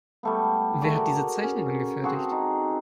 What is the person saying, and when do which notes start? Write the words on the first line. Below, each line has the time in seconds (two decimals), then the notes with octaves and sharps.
Wer hat diese Zeichnung angefertigt?
0.23 G3 A3 B3
0.82 A3 F#4 G#4 D5
0.96 A#4
1.43 C#4
2.04 C4 D4 F#4 G#4
2.32 D#4